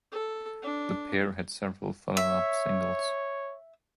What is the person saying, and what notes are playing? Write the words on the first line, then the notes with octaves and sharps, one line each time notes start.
The pair had several follow-up singles.
A4
D4
C#5 E5